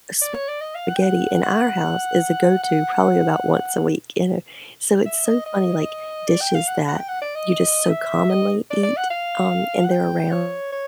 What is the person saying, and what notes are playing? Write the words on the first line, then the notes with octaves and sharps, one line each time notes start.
spaghetti in our house is a go-to probably about once a week, you know? So it's so funny, like, dishes that you just so commonly eat, um, and they're around
D5
C#5
D5
D#5
F5
F#5
G5
F#5
F#5
F#5
E5
D#5
D#5
D5
G5
F5
F#5
F#5
G5
F#5
D5
D#5
E5
D#5
D5
D5
F#5
F5
F#5
G5
C#5
C#5